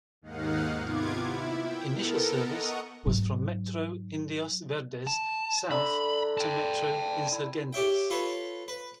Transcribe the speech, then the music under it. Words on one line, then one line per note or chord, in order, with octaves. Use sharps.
Initial service was from Metro Indios Verdes south to Metro Insurgentes.
D#2 G#2 D#3 D#4 F5 F#5
C3 B3 F4 D6 G#6
E4
G5
B3 A4 A#4
D#5 F#5 A#5 C#6 D#6
G#2 F#3
A5
D3 E5 A#5 B5
G5 A5
E4
G4 C#5 E5 G5
F4 A4 B4 C#5
B4